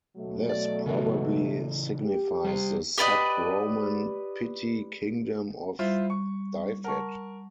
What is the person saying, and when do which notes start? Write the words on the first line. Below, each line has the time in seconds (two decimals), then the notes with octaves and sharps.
This probably signifies the sub-Roman petty kingdom of Dyfed.
0.17 B2 F#3 A3
0.49 D5
0.86 C#3 E3
2.05 G4
2.45 G3 C5
2.98 G4 B4 D5 D#5
5.79 G3 E4 F4 C5
6.10 C#6
6.84 A#4 F#5 A5 C#6